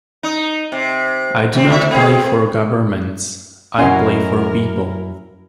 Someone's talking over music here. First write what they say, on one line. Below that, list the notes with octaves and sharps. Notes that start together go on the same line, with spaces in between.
I do not play for Governments, I play for people.
D#4
C3
D#2 C4
A2 G#4 E5
A3 C4 G#4
F#2 C#4 E4 A#4 D#5 F#5 G#5 C6